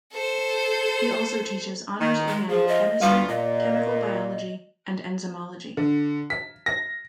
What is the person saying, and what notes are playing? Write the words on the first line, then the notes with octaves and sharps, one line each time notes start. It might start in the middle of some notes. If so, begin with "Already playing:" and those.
He also teaches Honors Organic Chemistry, Chemical Biology and Enzymology.
A4 C5
D#3
G#3
F3 G#4
D#5
D2 G3 B3 F4
A#2 D#5
D3
B6
A#6